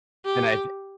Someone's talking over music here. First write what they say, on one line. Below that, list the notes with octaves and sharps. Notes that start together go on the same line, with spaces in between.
And I th
G4